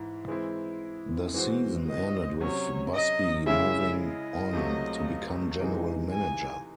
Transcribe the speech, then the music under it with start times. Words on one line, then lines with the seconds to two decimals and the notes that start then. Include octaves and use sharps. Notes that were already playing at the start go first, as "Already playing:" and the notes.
The season ended with Busby moving on to become General Manager.
Already playing: G#2 E3 E4
0.27 E3 G#3 C4 E4
1.34 E3 G#3 C4 F#4 C5
1.87 D#5
2.41 C3 F#3 C#4 C#5
2.94 D#5
3.46 C#3 G#3 C#4 E4 G#4 E5
4.00 D#5
4.53 C#2 C3 F#3 A3
5.59 C3 E3 G#3 D#4 G#4
6.12 G#5